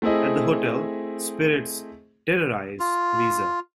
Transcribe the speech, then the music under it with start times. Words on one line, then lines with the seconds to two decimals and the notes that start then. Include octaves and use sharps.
At the hotel, spirits terrorize Liza.
0.02 A3 C4 E4 G#4 D#5
2.80 F4